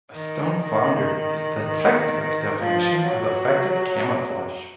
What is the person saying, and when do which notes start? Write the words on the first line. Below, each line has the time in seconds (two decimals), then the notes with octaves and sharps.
A stone flounder is the textbook definition of effective camouflage.
0.13 D#3
0.63 D#3
1.61 D#3
2.59 F3
3.08 F#3